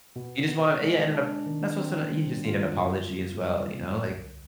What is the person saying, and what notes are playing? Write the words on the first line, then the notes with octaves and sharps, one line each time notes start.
you just wanna Yeah, and then o that's also n you just need an apology as well, you know, like,
B2
B3
G#3
D4
D#3
C4
G3
F4
D3
B3
G3
D3
C2